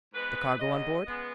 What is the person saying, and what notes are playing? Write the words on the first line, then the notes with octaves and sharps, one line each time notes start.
"The cargo on board?"
G#2 G#3 B3 B4
D#2 C#3 F#3 D#5
C#3 G#3 B3